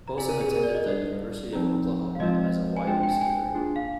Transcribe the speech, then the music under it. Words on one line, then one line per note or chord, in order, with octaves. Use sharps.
Wilson attended the University of Oklahoma as a wide receiver.
A#5
C4 G4 D5 G#5
A#4
G#4
A#4
D5
D#5
G3 D4 G#4 D5
F3 C4 D#4
F5
F3 G#3 C4 F4 C5 D#5
G#5
G#3 D4 F4 C5 G5
G5
G#5
G#5
A#3 D4 F4 G#4
F5